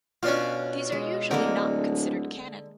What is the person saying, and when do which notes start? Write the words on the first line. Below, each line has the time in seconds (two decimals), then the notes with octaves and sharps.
These are usually not considered canon.
0.23 B2 C#4 D4 F4
0.92 G#3
1.31 D1 D3 G#3 A#3 A#4